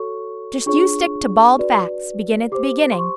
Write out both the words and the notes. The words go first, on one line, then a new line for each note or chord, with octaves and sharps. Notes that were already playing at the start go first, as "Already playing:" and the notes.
Just you stick to bald facts. Begin at the beginning.
Already playing: F#4 A4 C#5 C#6
D4 F4 G#4 C#5 C#6
F#4 B4 D5
G4 C5 D6
C6
C#6